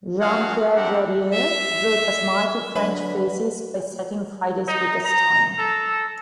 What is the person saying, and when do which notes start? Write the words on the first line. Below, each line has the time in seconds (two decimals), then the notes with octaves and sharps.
Jean-Pierre Jarier brought a smile to French faces by setting Friday's quickest time.
0.20 D4 F#4 G#4 A#4 F5 F#5
0.76 C4 D4 G4 E5 F#5 A#5
1.33 E5
2.75 D3 F#3 B4
4.68 D#4
5.05 A#5
5.58 A4